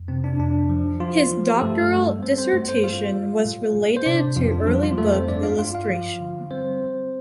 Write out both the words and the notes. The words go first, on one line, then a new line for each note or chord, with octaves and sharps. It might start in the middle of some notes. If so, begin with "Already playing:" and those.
His doctoral dissertation was related to early book illustration.
Already playing: F2
C3 C4
D4
F2 D4
F3
F3 F4
F3
G4
G2 A3 A4
G3
G3 C4 C5
C4 C5
G2 A3 A4
C4 C5
G3 F4 F5
G3
A2
A2
C5
C3 D4 D5
F2 F3 F4
D4
F3 G3 F4
F3 F4
F2 A3 A4
C4 C5
G2 D4 D5
F4 F5
G2 F4 F5
F4 F5
F3
D3
G3 C4 C5